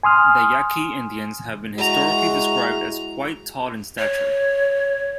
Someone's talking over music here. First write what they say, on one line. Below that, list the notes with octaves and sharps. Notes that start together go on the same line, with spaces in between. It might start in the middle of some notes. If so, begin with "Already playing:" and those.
The Yaqui Indians have been historically described as quite tall in stature.
G#5 C6 D#6 F6
G#3 E4 F#4 A#5
C#5